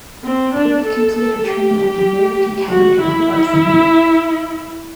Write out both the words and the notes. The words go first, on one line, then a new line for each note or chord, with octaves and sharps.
Avery completed her training at the American Academy of Dramatic Arts in New York.
C4
D4
A4
A4
G4
F#4
E4